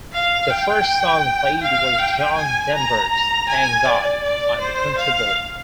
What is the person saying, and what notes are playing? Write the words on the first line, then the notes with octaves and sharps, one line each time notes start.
The first song played was John Denver's "Thank God I'm a Country Boy".
F5
G5
F5
G5
G#5
A#5
A#5
G#5
D5
D5
C5
F5